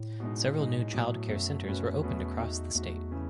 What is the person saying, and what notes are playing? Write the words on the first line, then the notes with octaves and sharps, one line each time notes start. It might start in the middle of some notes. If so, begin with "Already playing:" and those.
Several new childcare centers were opened across the state.
Already playing: A2
B2 G#3 D#4
B2 G#3 D#4
B2 F#3 A3
F#2 B2 F#3 A3
B2 A3 C#4 F#4 B4
E2 B2 A3 C#4 F#4 B4
A3 D#4 F#4
E2 A3 D#4 F#4
C#3 E3 A3 C#4